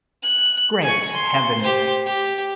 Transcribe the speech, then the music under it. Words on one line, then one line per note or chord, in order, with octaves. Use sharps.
Great heavens!
F#6
G#5 C#6
C6
G4 C5
G4